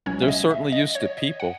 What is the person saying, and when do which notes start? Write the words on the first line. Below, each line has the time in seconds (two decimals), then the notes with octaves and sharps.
they're certainly used to people.
0.06 C#2 B2 F#3 C#4 C#5
0.22 E5
0.28 D#5
0.51 E5
0.72 D#5
0.95 C#5
1.18 D#5
1.40 F#5